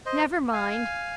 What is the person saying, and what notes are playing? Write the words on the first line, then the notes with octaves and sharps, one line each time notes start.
Never mind!
C5 D#5
F5 G#5